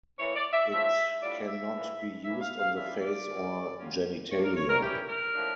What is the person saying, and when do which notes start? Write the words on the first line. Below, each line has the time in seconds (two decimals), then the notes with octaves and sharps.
It cannot be used on the face or genitalia.
0.18 A2 E3 A#3 E4 C#5
0.35 D5
0.53 E5
0.71 A2 F3 C#4 E5
1.21 A2 G3 D4 F4 D5
1.47 E5
1.72 F2 E3 A#3 D4
2.24 A2 E3 A#3 C#4 E5
2.41 F5
2.59 F5
2.76 C#3 E3 G3 D4 F4 E5
3.02 D5
3.27 F2 C#3 E3
3.79 D3 G3 C#4 F4
4.30 E3 A#3 D4 F4 C#5
4.44 A#4
4.56 C#5
4.69 A#4
4.81 E3 G3 A#3 C#4 E4 G4
5.08 A#4
5.34 A2 F3 A#3 D4